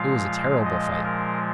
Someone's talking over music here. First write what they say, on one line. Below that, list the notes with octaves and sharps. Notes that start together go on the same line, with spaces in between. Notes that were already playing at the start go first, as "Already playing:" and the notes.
It was a terrible fight!
Already playing: A#2 F3 G#3 F5
D#5
A#4